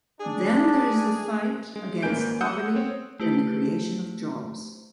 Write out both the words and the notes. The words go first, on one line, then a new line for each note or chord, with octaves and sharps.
Then there is the fight against poverty and the creation of jobs.
D4 G#4
G#3
G#1 A#3 B4 G#5 G6 D7
F#5 D#6 E6 F#6 G6 C#7
C4 C#5
A3 E4 G4 B4 C5